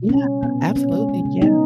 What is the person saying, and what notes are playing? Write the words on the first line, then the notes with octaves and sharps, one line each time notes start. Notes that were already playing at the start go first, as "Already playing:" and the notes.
Yeah, absolutely, yeah.
Already playing: B2
G3 C#4
G3
A#2 B3
A#3
C#3 C#4
G#3
G#3
C#3
B3 D#4